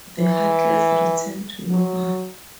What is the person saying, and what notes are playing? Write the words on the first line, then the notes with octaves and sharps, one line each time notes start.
The Heartless return to normal.
E3
F#3